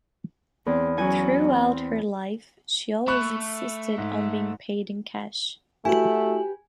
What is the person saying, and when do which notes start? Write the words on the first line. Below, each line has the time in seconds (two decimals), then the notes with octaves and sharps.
Throughout her life she always insisted on being paid in cash.
0.66 E2 C4
0.98 F#3 C#4 G#5
1.47 C4
3.08 A3 B5 C#6 F#6
3.98 G#2
5.85 A3 E4 F#4 G4 B4 G#5